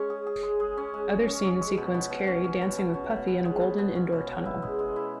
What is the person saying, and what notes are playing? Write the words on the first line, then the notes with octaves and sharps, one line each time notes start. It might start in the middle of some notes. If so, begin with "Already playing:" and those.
Other scenes sequence Carey dancing with Puffy in a golden indoor tunnel.
Already playing: G#3 C#4
G#4
G#4
G#3
G#3
C#4
G#3
C#4
C#4
C#4
G#3
B2
B2
B2
C#4
C#4
B2
B2
C#4
B2
B2
G#3
B2
B2
C#4
B2
B2
E4
G#3
G#3
E4